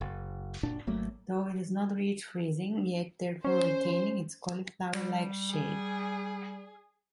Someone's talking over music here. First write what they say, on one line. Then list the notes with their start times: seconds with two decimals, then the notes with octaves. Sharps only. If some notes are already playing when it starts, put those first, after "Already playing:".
Though it has not reached freezing yet therefore retaining its cauliflower like shape.
0.01 F#1
0.63 F#1 A#2 D4
0.87 G#1 F#3 A3 A#3
3.45 C#4 C5
4.94 G3
5.50 G#4